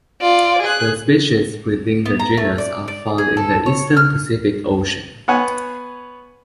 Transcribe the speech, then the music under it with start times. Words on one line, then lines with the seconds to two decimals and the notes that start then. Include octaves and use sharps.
The species within the genus are found in the eastern Pacific Ocean.
0.21 F4 D5
0.62 G#4 F#6
2.05 B3
2.19 A#5
2.37 A3
2.58 D5
2.88 D5
3.18 G#4
3.37 A4
3.66 C#5
3.97 F6
5.28 B3 C#5 F#5 G#5